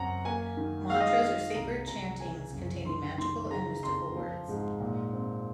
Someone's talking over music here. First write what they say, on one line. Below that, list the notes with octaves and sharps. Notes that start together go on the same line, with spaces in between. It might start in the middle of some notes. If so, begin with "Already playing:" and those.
Mantras are sacred chantings containing magical and mystical words.
Already playing: F#2 C4 F#5 A#5
A#3 G#5
D#3
G#3 F5
D#5
F5
G#3 F5
C2 A#5
C2 A#5
C#3 G#5
F#2
D#3 C6
D#3 C6
C#3 A#5
F2 C6
F3
G#2
A#2
C4